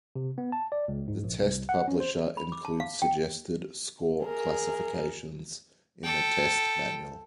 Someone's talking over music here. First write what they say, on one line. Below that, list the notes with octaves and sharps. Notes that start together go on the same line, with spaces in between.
The test publisher includes suggested score classifications in the test manual.
C3
B3
A5
D5
C#2
G#2
A#1
C2
F#5
C#4
C5
B5
D6
A5
F5
G5
G#4 A#4
A4 G5